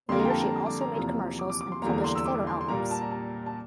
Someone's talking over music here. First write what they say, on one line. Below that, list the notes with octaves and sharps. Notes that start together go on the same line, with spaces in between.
Later she also made commercials and published photo albums.
F2 D3 G3 A#3 C6
A#5
G5
A5
A#5
A#5
D6
A#5
E2 C3 F3 A#3 A#5
D6
D6
D6
C6
E2 D3 G3 A#3 A#5
A#5
C6
E6
D6
C6
C6
A#2 G3 A#3 A#5
A5
A#5
A5
A5